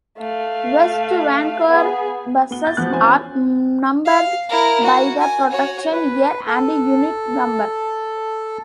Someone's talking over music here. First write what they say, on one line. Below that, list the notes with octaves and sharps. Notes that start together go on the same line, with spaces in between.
West Vancouver buses are numbered by the production year and unit number.
A3 F5
B3 G#4
B3 G7
G6 A6
E1 F3 B3 F#6
C4 C#4 E4 C5 G#5
F5
E4 A#4
F#4
G#5
F#4 C#5
B4
A4